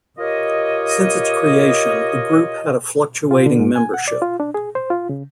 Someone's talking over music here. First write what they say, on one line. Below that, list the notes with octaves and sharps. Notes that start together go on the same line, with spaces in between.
Since its creation, the group had a fluctuating membership.
F4 G4 A#4 C#5 D#5
F4
D3
G#2
G#5
F#5
D5
F4
D4
G#4
C5
F4
C#3